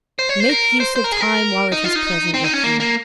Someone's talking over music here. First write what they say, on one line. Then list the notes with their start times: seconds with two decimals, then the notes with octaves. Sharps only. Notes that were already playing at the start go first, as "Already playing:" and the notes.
Make use of time while it is present with you.
0.19 C5
0.29 C#5
0.40 C5
0.49 A#4
0.80 C5
0.96 C5
1.04 A#4
1.12 G#4
1.21 A#4
1.72 D#4
1.84 F4
1.96 D#4
2.34 C4
2.44 D#4
2.53 C#4
2.63 A#3
2.80 A#3